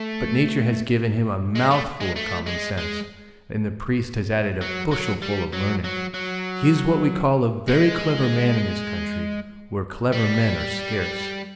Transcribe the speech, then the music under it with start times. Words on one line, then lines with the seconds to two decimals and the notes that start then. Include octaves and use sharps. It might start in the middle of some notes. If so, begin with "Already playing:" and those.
But nature has given him a mouthful of common sense, and the priest has added a bushelful of learning; he is what we call a very clever man in this country, where clever men are scarce.
Already playing: A3
1.55 G#3
1.71 A3
2.00 G#3
2.16 A3
2.46 G#3
2.78 G#3
4.61 F#3
4.91 F#3
5.22 G3
5.53 F#3
5.84 F#3
6.14 F#3
7.68 G#3
10.12 G3